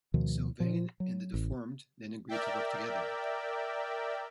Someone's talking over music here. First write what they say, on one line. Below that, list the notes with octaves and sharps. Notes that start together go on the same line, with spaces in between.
Sylvain and the Deformed then agree to work together.
D2 B2 D#3 F3
A#2 F3
F#3
A1
A#4 D5 E5 G5